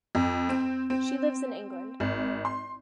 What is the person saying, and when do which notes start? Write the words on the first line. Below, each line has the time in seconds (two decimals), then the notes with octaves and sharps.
She lives in England.
0.15 F2
0.49 C4
0.90 C4
2.00 G#1
2.45 C6